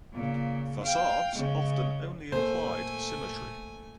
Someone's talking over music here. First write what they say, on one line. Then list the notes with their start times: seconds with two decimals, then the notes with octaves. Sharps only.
Facades often only implied symmetry.
0.13 A#2 C#3
0.82 F5 G5
1.35 C#3 G#3
2.32 A#2 A3 A#3 A4 C5 G#5